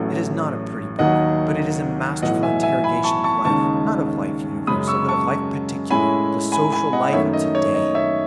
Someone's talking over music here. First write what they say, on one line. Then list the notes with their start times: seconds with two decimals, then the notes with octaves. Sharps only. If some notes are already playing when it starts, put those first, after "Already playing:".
It is not a pretty book, but it is a masterful interrogation of life--not of life universal, but of life particular, the social life of to-day.
Already playing: A1 A2 F#3 A3
0.99 D#2 D#3 F#3 D#5 F#5
2.22 B1 A2 E3 D#5 F#5
2.42 E5 G#5
2.63 E5 G#5
2.84 G#5 B5
3.04 A5 C#6
3.24 A5 C#6
3.45 D#2 C#3 G#3 D#4 A5 C#6
4.67 F#2 C#3 G#3 B5 D#6
4.88 C#6 E6
5.08 A5 C#6
5.90 A2 G#3 C#4 E4 G#5 B5
6.52 G#5 B5
6.72 G#5 B5
6.93 D#5 F#5
7.13 F#2 D#3 A3 C#5 E5
7.33 D#5
7.55 C#5
7.74 D#5
7.95 C#5 E5